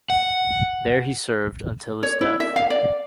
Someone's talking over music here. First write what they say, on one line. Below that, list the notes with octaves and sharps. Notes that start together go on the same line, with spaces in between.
There he served until his death.
F#5
C#5
E4
E5
F5
D5